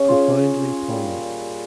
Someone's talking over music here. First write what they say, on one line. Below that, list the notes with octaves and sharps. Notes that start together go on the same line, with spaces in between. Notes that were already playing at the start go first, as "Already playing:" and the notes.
Profoundly poignant.
Already playing: C#3 C#4
F4 G#4
A#2 G3